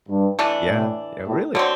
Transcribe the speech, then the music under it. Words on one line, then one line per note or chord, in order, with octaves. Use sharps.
Yeah, yeah, really,
G2
E3 A3 D4
A2
A2
D3 F#3 C4